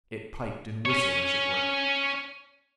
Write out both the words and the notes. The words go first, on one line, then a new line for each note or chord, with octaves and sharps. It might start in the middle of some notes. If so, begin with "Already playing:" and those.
It piped and whistled as it worked.
C#4 C#5